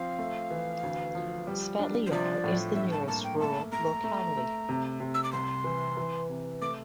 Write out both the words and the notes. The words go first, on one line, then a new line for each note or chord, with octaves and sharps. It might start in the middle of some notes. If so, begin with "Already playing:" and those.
Svetly Yar is the nearest rural locality.
Already playing: F3 C4 F5
A3
E3
D2
F3
G3
D4
C5
F3 D5
A2
G2 E5
A5
A#3 A5
G5
A3 A5
A3 A#5
A3
A3
C3
C3
E6
D6
C2 C6
E3
E3
C3
A3 D6